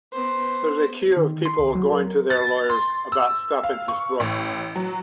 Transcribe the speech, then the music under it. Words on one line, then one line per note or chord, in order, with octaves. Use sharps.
There's a queue of people going to their lawyers about stuff in his book.
B3 C5
D#3
C6
C#2
F#3
A#4
A6
C6
E6
F5
C#6
A1
F#3